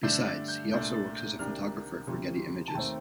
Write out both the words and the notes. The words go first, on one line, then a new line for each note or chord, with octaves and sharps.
Besides, he also works as a photographer for Getty Images.
G2 D3 A3 D4 G6
A6
G6
C2 A#2 A3 D4 G6
A6
G6
C2 C3 D#3 A#3 D4 F6
D2 C3 F3
A5
D#2 D#3 A3 C4 G5